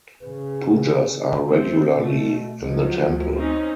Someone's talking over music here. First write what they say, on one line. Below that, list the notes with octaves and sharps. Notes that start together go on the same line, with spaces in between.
Pujas are regularly in the temple.
C#3 B4
A3 C4
B2 A3
C#2 F3 F#3
D2
C4 C#4 D#4